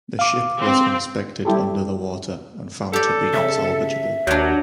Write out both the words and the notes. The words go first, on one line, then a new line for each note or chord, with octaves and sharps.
The ship was inspected under the water and found to be unsalvageable.
F5 D6
C4
G3 E4 G4 A4
G4 A4 D5
C#3 E5
D#2 F#3 D4 G5